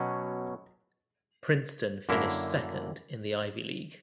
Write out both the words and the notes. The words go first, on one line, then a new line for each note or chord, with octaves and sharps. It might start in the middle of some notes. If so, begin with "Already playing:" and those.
Princeton finished second in the Ivy League.
Already playing: B2 F#3 C#4
F#2 D3 A#3 E4